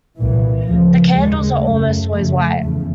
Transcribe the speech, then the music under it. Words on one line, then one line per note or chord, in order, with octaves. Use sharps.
The candles are almost always white.
C2 A#2 E3
D2 C#3 F3
D#2 C#3 G#3
F#2 C#3 A3
F2 C#3
E2 C#3